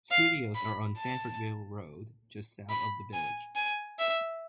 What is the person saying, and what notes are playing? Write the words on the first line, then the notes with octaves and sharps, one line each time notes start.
Studios are on Sanfordville Road, just south of the village.
F5
B5
A5
B5
G#5
G#5
E5